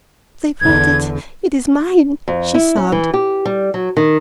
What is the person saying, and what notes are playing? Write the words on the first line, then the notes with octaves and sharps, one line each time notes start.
"They brought it; it is mine," she sobbed.
E2 D3 G#6
F2
E4
C#4
E3
G4
G3
F#3
D#3